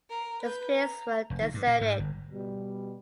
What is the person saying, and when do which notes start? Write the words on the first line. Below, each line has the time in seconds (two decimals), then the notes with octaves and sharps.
The streets were deserted.
0.10 A#4
0.42 B4 G6
0.73 A#5
1.30 F1
1.42 D#3
1.54 G2
1.67 A#2
1.81 G#2
1.99 G1
2.32 B2 G3